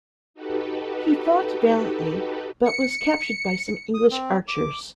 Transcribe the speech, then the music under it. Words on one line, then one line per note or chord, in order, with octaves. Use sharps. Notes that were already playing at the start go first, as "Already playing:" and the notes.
He fought valiantly but was captured by some English archers.
D#4 F#4 G4 A4 B4
C#7
D#6
C4
D6